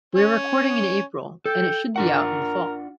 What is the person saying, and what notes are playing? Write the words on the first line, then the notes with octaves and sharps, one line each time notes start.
We're recording in April, and it should be out in the fall.
C#4
A4 G5
D4 F4 A#4 F#5